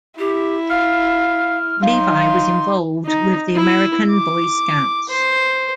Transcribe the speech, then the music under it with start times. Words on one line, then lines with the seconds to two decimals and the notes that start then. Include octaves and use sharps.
Levy was involved with the American Boy Scouts.
0.19 E4 G4
0.70 F5 F6
1.83 F#3 D#4 F5 C6
3.06 D#4
3.55 E4
4.11 D6
5.09 C5